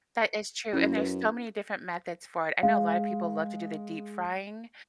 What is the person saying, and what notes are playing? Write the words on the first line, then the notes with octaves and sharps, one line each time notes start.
That is true and there's so many different methods for it. I know a lot of people love to do the deep frying,
F#2 C#4 E4
B4
G#3 F5